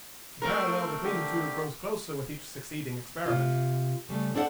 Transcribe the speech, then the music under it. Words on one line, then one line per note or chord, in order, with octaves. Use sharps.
The parallel between the two grows closer with each succeeding experiment.
A3 C4 A#4
D3 G4
C3 F4
C#3 G3 A3
C4 D4 A4 D5 F#5